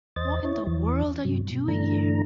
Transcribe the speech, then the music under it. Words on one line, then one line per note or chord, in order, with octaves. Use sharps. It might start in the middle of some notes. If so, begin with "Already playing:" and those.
What in the world are you doing here?
E2 C5 D#5 A6
E4 C#5
E2 E3
G2 C3 F#3
B2
G2 D3 E3 A3 D4 A#5